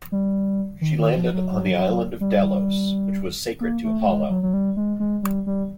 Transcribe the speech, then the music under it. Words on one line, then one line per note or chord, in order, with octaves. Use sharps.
She landed on the island of Delos, which was sacred to Apollo.
G3
D#3
D#3
F3
F#3
F#3
G3
A#3
A3
A3
G#3
F#3
F#3
G3
G#3
G#3
G3
G3